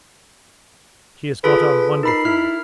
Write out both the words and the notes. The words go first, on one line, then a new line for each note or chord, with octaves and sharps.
She has got on wonderfully.
F4 G#4 A4 B4
D#4 A#4 B5 C7
E4 F6